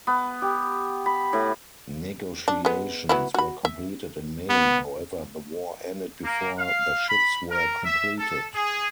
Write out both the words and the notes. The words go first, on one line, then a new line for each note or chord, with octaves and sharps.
Negotiations were completed in May, however the war ended before the ships were completed.
B3
G4
B5
A2
D4
G#3 B3
F#3 B3 E4
F#4 B5
E5
B3
A#3
F5
B5
A#4
E5
A4
G#4